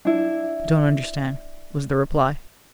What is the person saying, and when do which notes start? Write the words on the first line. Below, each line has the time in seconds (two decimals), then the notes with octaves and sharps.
"I don't understand," was the reply.
0.05 D4 E4